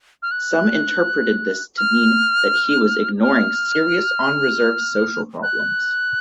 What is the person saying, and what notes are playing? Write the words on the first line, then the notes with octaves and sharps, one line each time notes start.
Some interpreted this to mean that he was ignoring serious on-reserve social problems.
F6
F#6
F6
F6
F#6